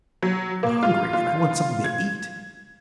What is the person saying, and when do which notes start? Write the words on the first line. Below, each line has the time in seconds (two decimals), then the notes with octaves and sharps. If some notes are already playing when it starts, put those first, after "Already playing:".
"I'm hungry, and I want something to eat!"
0.23 F#3
0.63 A#3
0.83 F4
1.13 F4
1.84 G#6